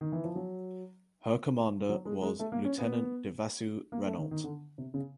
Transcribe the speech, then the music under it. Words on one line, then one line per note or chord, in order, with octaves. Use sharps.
Her commander was "Lieutenant de vaisseau" Renault.
D#3
E3
F3
F#3
F#3
G#3
G#3
A3
A#3
C#4
B3
A#3
A3
D#3
D#3
D3
C3
C#3